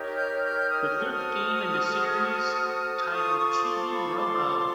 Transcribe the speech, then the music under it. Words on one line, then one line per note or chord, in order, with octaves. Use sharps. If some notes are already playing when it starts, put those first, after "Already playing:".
The fifth game in the series, titled Chibi-Robo!
Already playing: D#4 G4 A#4 C#5
F6 G6
F6 G6
D#6 F6
F#4 A4 C5 F6
F#6
D#6 F6
F4 A4 C5 C#6 D#6
C#6 D#6
C6 D6
B5 C#6
C6 D6